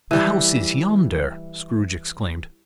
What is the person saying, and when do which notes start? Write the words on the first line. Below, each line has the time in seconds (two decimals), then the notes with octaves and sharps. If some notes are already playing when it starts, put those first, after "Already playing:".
"The house is yonder," Scrooge exclaimed.
0.11 E3 G3